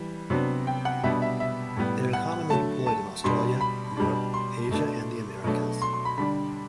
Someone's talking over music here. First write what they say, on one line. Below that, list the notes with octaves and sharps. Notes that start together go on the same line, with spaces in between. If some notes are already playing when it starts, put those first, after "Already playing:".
They are commonly deployed in Australia, Europe, Asia and the Americas.
Already playing: E3 G3
C3 F#3 B3 D4
G5
F#5
B2 G3 B3 D4 E5
E5
E5
A2 G3 B3
F#5
D3 F#3 A3 A5
A5
B2 G3 D4 C6
B5
B2 G3 D4
C6
B2 A3 D4
B2 F#3 A3 D4
C6
C6
B5
D3 G3 D4 B5